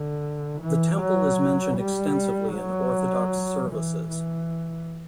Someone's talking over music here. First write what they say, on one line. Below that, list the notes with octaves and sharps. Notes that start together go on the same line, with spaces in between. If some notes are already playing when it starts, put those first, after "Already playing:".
The Temple is mentioned extensively in Orthodox services.
Already playing: D3
E3
F#3
G3
F#3
E3
E3